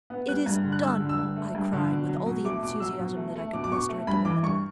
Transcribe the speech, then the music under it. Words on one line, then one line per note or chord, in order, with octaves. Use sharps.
"It is done!" I cried, with all the enthusiasm that I could muster at the moment.
B3
G3 F#6
G2
D3
F#6
G2 E6
D3
E6
G2
A3
G2
D3
B2
F#3
B2
A3 D6
B2 D6
F#3 E6
B2
A3
A3
B2 D6
D6
B2 C#6
A3
G2 B5
E3 D6
G2 C#6